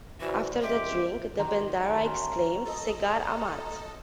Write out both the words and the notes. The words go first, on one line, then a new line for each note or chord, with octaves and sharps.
After the drink, the Bendahara exclaimed, Segar amat!
E3 F#4 C5 D5
C#2 G4 D#5 E5 C6 D6
D#3 C4 F#4 G4 A#5
C#4 F#4 C6
A4 D#5